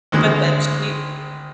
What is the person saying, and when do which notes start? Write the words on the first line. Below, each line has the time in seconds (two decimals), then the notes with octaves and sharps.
but then she
0.12 G#1 D2 G#3